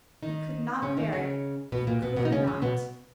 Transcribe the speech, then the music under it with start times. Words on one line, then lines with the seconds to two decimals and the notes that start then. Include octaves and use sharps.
He could not bear it--he could not!
0.23 D#3 D#4
0.82 C#3 C#4
0.97 D#3 D#4
1.12 C#3 C#4
1.72 B2 B3
1.87 A#2 A#3
2.02 B2 B3
2.16 B2 B3
2.25 D#4
2.32 C#3 C#4
2.47 C#3 C#4
2.62 B2 B3